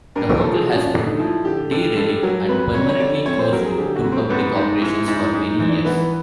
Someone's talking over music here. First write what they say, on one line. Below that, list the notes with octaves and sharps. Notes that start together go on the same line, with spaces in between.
The Hotel has been derelict and permanently closed to public operations for many years.
G2 A#4
A#4
F3 A4
G#4
F3 F#4
C#4
D4
D3
D#4
F3 E4
D3 G4
G2 A4
G2 A4
F#3 A#4
F2 B4
F2 C#5
C#5
D3 D5
F2 C#5
C5
F#3 A#4
G#4
D3 G4
F#4
F2
C4
G#2 B3
G#2 D#4
G#2 E4
G#2 D#4
E4
D#4
G#2 D#4
D#4
E3
D4
E3 B3